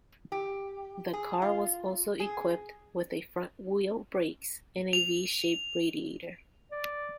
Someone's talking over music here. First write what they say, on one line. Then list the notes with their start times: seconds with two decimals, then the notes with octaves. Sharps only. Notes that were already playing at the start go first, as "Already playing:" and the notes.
The car was also equipped with front-wheel brakes and a V-shaped radiator.
0.32 G4
1.13 G#4
1.42 F4
2.20 G#4
4.93 F7
6.71 D5